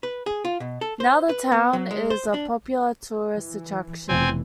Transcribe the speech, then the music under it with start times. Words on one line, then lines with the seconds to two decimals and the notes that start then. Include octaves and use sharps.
Now the town is a popular tourist attraction.
0.03 B4
0.26 G#4
0.45 F4
0.60 B2
0.81 A4
1.00 C5
1.29 B4
1.52 B3
1.73 F#3
1.91 G#3
2.10 C5
2.34 D4
3.36 E3
4.09 F1 B2 E3 C4 G#5